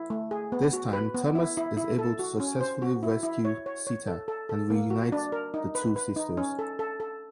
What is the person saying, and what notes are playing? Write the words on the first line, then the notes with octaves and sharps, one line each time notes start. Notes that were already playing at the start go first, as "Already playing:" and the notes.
This time Thomas is able to successfully rescue Sita and reunite the two sisters.
Already playing: E4
A3
G#4
B3
F#4
B4
B3
E4
E4
E4
A4
F#4
C#4
C5
F#4
E4
E4
C#5
C#5
C#5
A4
A4
A4
A#3
F#4
D4
A#4
D#4
B4
B4
D#4
C#4
A4
A4
A4